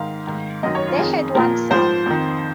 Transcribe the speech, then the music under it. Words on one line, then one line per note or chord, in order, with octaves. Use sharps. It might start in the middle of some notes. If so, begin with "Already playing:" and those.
They had one son.
Already playing: G#2 D#3 F5
G#2 D#3
F#2 D#3 D#5
C#5
F4
F2 D#3 G#4
A#2 F3 A#4
G#2 F3 C5
F2 D#3